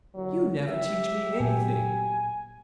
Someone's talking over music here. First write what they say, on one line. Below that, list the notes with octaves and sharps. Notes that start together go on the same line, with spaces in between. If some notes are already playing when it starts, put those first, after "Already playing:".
"You never teach me anything."
G1 D#2 F#3
F#3 G4 E5
A#2 G#5